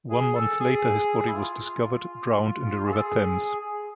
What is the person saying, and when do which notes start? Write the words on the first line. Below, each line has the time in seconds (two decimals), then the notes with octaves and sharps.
One month later his body was discovered drowned in the River Thames.
0.11 G#4
0.36 A4
0.60 G#4
1.28 E4
1.36 F4
2.85 G#4
2.93 A4
2.99 G#4
3.60 G#4